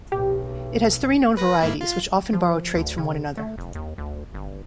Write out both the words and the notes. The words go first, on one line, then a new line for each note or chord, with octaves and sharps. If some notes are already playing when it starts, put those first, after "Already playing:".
It has three known varieties, which often borrow traits from one another.
B1 G4
B4 A#6
G#2 A#3 E4
F4
F3
D2
C#3
A3
F1
D#2
D2
G1